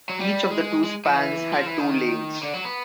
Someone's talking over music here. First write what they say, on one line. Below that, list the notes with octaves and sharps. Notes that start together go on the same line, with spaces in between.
Each of the two spans had two lanes.
F#3
G3
G#3
G#3
F3
E3
F3
E3
D#3
D3
F#3
B3